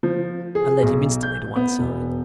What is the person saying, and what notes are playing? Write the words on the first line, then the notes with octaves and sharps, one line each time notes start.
I led him instantly to one side.
F3
G#4
B1
G6
B3
E1